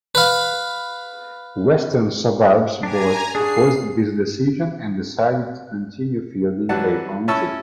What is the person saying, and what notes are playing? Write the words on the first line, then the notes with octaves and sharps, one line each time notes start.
Western Suburbs board opposed this decision and decided to continue fielding their own team.
B4 F5
D4 G4 G#5 A#5
D4 F#4 G#4 C7
E3 F#3 G3 F#5 A5
C#4 E4 A5 C#6 E6